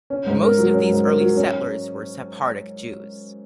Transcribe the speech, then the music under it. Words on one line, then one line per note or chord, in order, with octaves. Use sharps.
Most of these early settlers were Sephardic Jews.
C#4
G#2
A#4
F#3
C#4
G#2
A#4
F#3
C#4